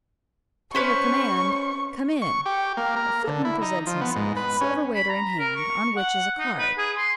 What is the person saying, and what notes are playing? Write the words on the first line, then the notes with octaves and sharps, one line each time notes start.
To her command "Come in!" a footman presents himself, silver waiter in hand, on which is a card.
C#4 B4 C5 C#6
C#6
G4
A#3
A#4
D3
E4
D#4
F3
B3
G#2
B4
C#4
B5
A#5
A#4
C#6
F#5
D#4
B4
G#4
C6